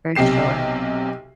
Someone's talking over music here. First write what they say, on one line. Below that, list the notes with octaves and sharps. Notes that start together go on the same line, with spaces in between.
For sure.
B1 C3 G4 C7 E7